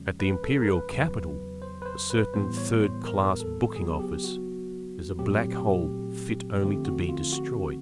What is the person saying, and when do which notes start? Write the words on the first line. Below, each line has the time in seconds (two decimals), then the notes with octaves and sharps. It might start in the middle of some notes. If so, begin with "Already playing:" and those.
At the Imperial Capital a certain third class booking-office is a Black-Hole fit only to be destroyed.
Already playing: F2 C#3 F3 G#3 C#4
0.20 B4
0.44 A4
0.62 A#4
0.68 B4
0.90 E2 C#3 F#3
1.62 C5
1.82 B4
1.86 C5
2.10 B4
2.34 A2 E3 G3 B3 C5
2.57 C#5
2.81 C5
3.05 A#4
3.40 A4
3.76 C#3 F#3 B3 G#4
3.99 G4
4.24 F#4
5.19 A#2 F#3 A3 C4 G4
5.54 G4
6.61 D3 F3 A3 C4 G4
6.85 F#4
7.09 F4
7.33 F#4